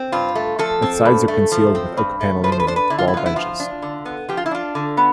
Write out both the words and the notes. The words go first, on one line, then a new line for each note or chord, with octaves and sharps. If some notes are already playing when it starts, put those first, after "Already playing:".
Its sides are concealed with oak panelling and wall benches.
Already playing: C4
G2 F4
A3
F3 A4
C4
G2
A3
F3
C4
G2
A3
F3 B4
C5
B4
D4 C5
B4
D3 E4
F4
E4
B3 F4
E4
F3 F4
D4
D3
B3
F3 G4
F4
E4
D4 F4
D3
B3